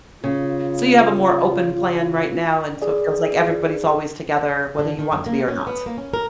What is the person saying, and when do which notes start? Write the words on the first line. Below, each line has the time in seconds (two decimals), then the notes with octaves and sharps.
So you have a more open plan right now, and so it feels like everybody's always together, whether you want to be or not.
0.24 C#3 F4
2.82 G#4 D5
4.79 D3
4.99 D#3
5.12 F#2
5.26 A#3
5.48 C#4
5.67 B3
5.86 A#3
5.98 C#4
6.14 A#4